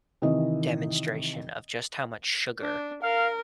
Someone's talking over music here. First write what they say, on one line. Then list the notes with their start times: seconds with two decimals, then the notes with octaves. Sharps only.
demonstration of just how much sugar
0.22 C3 D#3 E3 D#5
2.61 D4
3.02 A#4 F5